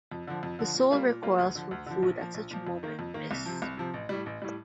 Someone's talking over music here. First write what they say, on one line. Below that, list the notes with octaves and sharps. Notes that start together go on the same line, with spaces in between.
The soul recoils from food at such a moment, miss.
F2
D3 F3
F2
D3 F3
A#2
G3 A#3 F4
A#2
G3 A#3 F4
D2
D3 F3
D2
D3 F3
A#1
A#2 F3
A#1
A#2 F3
F2
D#3 A#3
F2
D#3 A#3
C2
C3 F3
C2
C3 F3
A1
A2 G3
A1
A2 G3